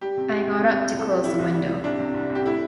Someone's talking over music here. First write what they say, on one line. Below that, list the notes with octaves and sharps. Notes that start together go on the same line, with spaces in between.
I got up to close the window.
G3 G4
C3
C2
C3
C2
G3
C2 A4
G3 G4
G3 E4
C2
G3
G3
C2 D4
C3
C2
C2
G4
A2 E4